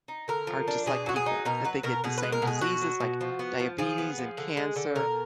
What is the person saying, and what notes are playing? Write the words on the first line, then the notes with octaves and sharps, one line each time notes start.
are just like people, that they get the same diseases like diabetes and cancer.
D#4
D3 A#4
F3
D4
B2 G#4
F#3 F#4
G#4
D#4
B2 A#4
F#3 B4
B2 A#4
B2 G#4
B4
G#3
A#4
B2
G#4
B2 F#4
F#3
B2
F3
B3
F3
F3 G#4
B3
F3
D3
G#3
D3
B2 A#4